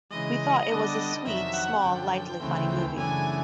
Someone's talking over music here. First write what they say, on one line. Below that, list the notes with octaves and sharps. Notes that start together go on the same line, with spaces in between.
We thought it was a sweet, small, lightly funny movie.
C#3 E3 G#3 D#5
D3 G3 B3 D4
F2 C3 D#3 F#3 E5
F#5
F#2 D3 F3 G5
D2 C#3 E3 A3 C4
F#2 C#3 E3 A3 D4 G#5